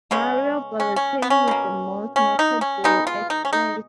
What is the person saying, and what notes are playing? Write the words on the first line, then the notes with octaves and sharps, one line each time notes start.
Mario Balotelli is the most notable ex-player.
C#3 G#3 B3 C#4
C#4
C#4
B3
C#4
B2 A#3
C#4
D#4
C#4
B2 G#3 B3 D#4
F4
D#4
C#4
D#4